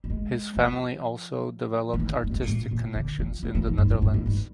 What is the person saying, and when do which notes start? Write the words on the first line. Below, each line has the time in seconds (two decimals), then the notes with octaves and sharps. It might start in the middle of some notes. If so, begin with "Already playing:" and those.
His family also developed artistic connections in the Netherlands.
0.04 G3
0.10 G#3
0.57 F3
1.93 D3
2.00 D#3
2.24 G3
2.31 A#3
2.36 G#3
2.48 A#2
2.71 A#2
2.95 D3
3.19 F3
3.43 G3
3.55 F3
3.67 G#2
3.78 G2
3.90 G2
4.02 G2
4.14 G#2
4.26 G2